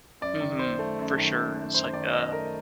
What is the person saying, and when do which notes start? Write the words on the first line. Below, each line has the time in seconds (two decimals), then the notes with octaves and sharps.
Mhm, for sure, it's like, uh,
0.21 F#2 D5
0.40 D#3
0.59 F#2 C5
0.79 A3
0.99 F#2
1.18 D#3
1.36 F#2
1.55 A3
1.74 F#2 C5
1.93 D#3 D5
2.13 F#2 D#5
2.32 A3 A#4